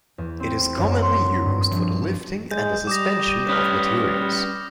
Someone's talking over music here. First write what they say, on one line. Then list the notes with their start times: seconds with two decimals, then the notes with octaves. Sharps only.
It is commonly used for the lifting and the suspension of materials.
0.18 E2
0.40 C4
0.77 F#2
1.02 C6
1.45 G2
1.70 A#1
2.51 G#3 G6
2.87 G3 D6 D#6 A#6
3.49 C#4 B4 D#6 F6